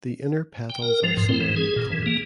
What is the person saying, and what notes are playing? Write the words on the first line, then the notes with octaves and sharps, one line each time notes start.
The inner petals are similarly colored.
G5
A#4
F3
G#2
C4
E3
G#4
A#2
E3
A#3